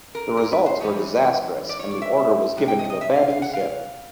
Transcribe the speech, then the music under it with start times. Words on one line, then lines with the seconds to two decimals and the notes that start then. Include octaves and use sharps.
The results were disastrous and the order was given to abandon ship.
0.15 A#4
0.37 A#4
0.52 B4
0.66 C5
0.80 G#2 E3 G3 C4 D#4 C#5
1.69 D5
1.79 C#5
1.91 D5
2.02 E5
2.57 E2 C3
2.68 G5
2.79 D#5
2.90 D#5
3.01 E5
3.16 F5
3.30 F5
3.42 F#5
3.53 F5